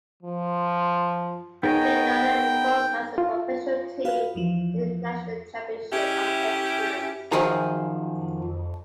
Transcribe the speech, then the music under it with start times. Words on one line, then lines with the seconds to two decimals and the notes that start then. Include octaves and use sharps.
Viadana reformed as a professional team in the National Championship of Excellence.
0.22 F3
1.63 B3 D#4 G#4 A#4 C#5 D#5 G5
3.18 F4
4.05 F#4 B4 F5
4.35 E2 E3 F3
5.92 C#4 E4 G4
7.32 F#2 D#3 F3 G#4 A#5